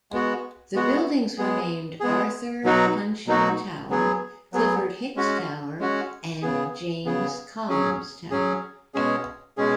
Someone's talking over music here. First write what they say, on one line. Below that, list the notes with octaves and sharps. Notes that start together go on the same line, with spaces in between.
The buildings were named Arthur Punshion Tower, Clifford Hicks Tower, and James Collins Tower.
G#3 B3 F#4
G#3 B3 F#4
G#3 B3 G#4
G#3 B3 G#4
B2 F#3 D#4 F#4
B2 F#3 D#4 F#4
F#3 B3 G#4
F#3 B3 G#4
G#3 C#4 F#4
G#3 C#4 F#4
C#3 B3 G#4
C#3 B3 G#4
F#3 C#4 G#4
F#3 C#4 G#4
B2 G#3 C#4 G#4
B2 G#3 C#4 G#4